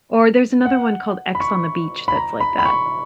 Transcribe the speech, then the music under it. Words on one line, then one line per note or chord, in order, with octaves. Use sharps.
Or there's another one called X on the Beach that's like that.
F#5
B5
C#6
B5
A#5
B5
B5
C#6